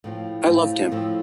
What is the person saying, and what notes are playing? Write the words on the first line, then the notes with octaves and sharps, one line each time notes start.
I loved him.
A2 F3 C4
A2 F3 C4
A2 F3 C4